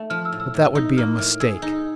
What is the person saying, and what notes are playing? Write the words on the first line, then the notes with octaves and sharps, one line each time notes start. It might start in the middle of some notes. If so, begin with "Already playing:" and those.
But that would be a mistake.
Already playing: A3
F3 F6
E6
A2
E6
A2
D#4
A#3 F6
A2 F6
G#4 E6
D#4